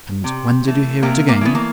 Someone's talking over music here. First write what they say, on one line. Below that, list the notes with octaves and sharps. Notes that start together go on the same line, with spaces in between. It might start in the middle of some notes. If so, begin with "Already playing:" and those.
"And when did you hear it again?"
C3
E3 A3
C3 A#3
A#3
E3 A3 B3
A#3